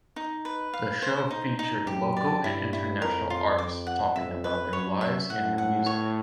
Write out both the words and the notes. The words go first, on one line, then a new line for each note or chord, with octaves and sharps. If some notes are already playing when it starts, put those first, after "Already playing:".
The show featured local and international artists talking about their lives and their music.
D#4
B4
F5
C5
D#4
D#4
F#2 G4
D5
G2 E4
E4
F2 A#4
F4
D6
F#5
F2 E5
B4
F#2 C#5
E5
A2 F#5
F#5
C#5